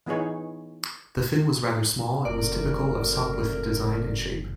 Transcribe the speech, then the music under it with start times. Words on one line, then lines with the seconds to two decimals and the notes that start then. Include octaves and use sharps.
The fin was rather small and was typical of Sopwith design in shape.
0.06 E3 B3 D#4 G#4 C#5
2.25 F#1 A3 C4 F#4 A#4 D5